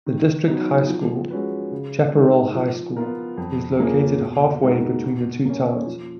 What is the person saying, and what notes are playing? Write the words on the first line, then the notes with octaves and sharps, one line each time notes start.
The district high school, Chaparral High School, is located halfway between the two towns.
D#3
F#3 B3 D#4
F3
G#3 C#4 F#4 B4
C#3
G#3 D#4 A#4
F3
B3 F4 A#4
F2
F3 A#3 C#4 G#4
B2
G#3 D#4 F#4 A#4
B2
A#3 C#4
F3